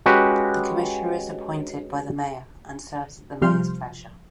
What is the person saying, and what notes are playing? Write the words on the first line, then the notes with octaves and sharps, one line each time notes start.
The Commissioner is appointed by the Mayor, and serves at the Mayor's pleasure.
G#3 C#4 F#4 G4 B4
C3 F3 G3 C6 F6 G6